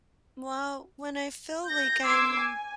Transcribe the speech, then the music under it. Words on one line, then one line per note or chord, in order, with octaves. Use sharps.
well, when I feel like I'm
G6 A#6
C6 D6 E6 G#6 C7
G#5